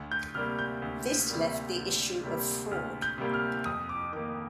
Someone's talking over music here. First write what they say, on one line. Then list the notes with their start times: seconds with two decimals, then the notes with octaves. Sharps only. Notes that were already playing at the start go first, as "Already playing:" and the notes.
This left the issue of fraud.
Already playing: D2
0.12 G6
0.35 C3 G3 A#3 F6
0.59 G6
0.82 D2
1.29 C3 G3 A#3
1.76 D2
2.23 C3 G3 A#3
2.71 D2 F6
3.02 G6
3.18 C3 G3 A#3
3.34 F6
3.66 F2 D#6
3.89 D6
4.13 D#3 A#3 D6